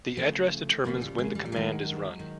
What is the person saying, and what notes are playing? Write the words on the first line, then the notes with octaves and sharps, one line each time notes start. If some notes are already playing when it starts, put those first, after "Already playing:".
The address determines when the command is run.
D2 C#3 F3 G3 A3
D2 C#3 F3 G#3 A#3
G3
G#3 A#3
G3
G3
F#2 D#3 F#3 G#3
D#3